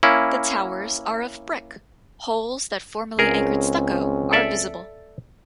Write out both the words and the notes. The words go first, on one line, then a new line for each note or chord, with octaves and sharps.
The towers are of brick; holes that formerly anchored stucco are visible.
A#3 C#4 E4
C#2 C4 C#4 G#4 A#4
A4 D5 E5